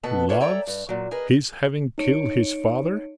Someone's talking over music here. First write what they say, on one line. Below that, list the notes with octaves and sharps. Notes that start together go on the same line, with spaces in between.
"Loves his having killed his father?"
B2 B3 A4 B4 A5
F4 B4 C#5 D5 E5
A4 C#5 D5 E5 G5 A#5
G2
A#2 F#3
G#4 A#4 B4 D#5
D#4 C#5 C#7 D7